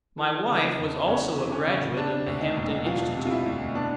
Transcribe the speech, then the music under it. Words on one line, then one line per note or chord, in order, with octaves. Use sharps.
My wife was also a graduate of the Hampton Institute.
E3 A4
C#3
D#4
E2
E2 C#4
E3
C#4
C#3
C3 D4
D2
D#4
E1
E3 F4
C3
F4
E4
D2
B2 D4